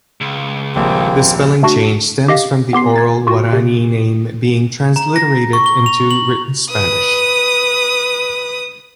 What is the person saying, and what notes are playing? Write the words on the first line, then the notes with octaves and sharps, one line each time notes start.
The spelling change stems from the oral Guarani name being transliterated into written Spanish.
C#2
D#1 A#1 A#3 C4
A3 D4 F#4
G4 D#5 F5 A#6
B3 G4 C6 C7
G#6 A6
F4 F#4
C3
A#5
A#6
C#6
G7
F7
F#7
B4 D#6